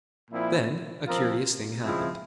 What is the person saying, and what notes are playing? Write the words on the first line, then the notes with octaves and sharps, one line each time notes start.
Then a curious thing happened.
A#2 F3 C4 E4
F3 C4 F4 A#4
C#3 F3 G#3 C4 E4